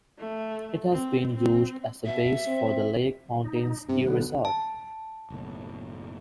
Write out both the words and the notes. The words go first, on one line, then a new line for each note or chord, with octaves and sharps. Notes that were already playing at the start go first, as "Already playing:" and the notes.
It has been used as a base for the Lake Mountain ski resort.
A3
C4
C4
B2 E5
C4
D#4
G2 C3
B1 D3 B3
A5
F#1 B1 A2